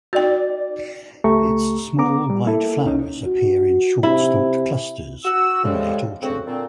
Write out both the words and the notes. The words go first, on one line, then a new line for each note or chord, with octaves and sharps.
Its small white flowers appear in short-stalked clusters in late autumn.
D#4 F#4 D5 G5 A6
C#2 A3 G4 A#5 C#6
B3 A#5 D6
G3
A#3 E4 A4
C2 C#4 D#4
F#4
C3 E4
F#4 E6
A2 C#3 F3 G3 G#3
D2 C#3 C4 F#4
A#2 D3 C4